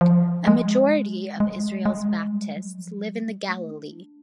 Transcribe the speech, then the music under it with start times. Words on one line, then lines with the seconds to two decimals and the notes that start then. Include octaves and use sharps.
A majority of Israel's Baptists live in the Galilee.
0.01 F3
0.47 G#3
1.40 G#3
1.86 G#3
2.32 G3
2.56 F#3
2.78 F3
2.93 F#3
3.09 G3
3.24 G#3
3.48 A3
3.71 D4